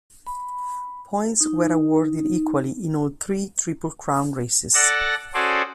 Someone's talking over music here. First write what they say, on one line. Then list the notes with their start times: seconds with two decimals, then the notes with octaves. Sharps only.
Points were awarded equally in all three Triple Crown races.
0.27 B5
1.41 D#4
4.74 A4 D5 F#5 A5 A#6
5.34 C#4 F#4 G#4 A4 C5 D5